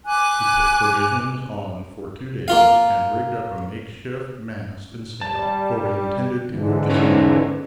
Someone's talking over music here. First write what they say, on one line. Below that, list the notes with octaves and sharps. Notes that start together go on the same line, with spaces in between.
We put provisions on for two days and rigged up a make-shift mast and sail, for we intended to go to sea.
G#5 D6 F#6
A#3 F4 F5
G3 A5
G#2 D3 E3
C#4 D#4 B4